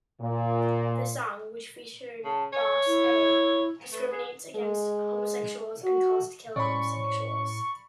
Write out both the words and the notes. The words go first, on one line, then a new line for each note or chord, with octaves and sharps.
The song, which featured Boss A, discriminates against homosexuals and calls to kill homosexuals.
A#2
C#3 A5
C#5 G#5
E4
A3 B4
G#4
G#3
F#4
A2 C#4 C5 D5 B5 C#6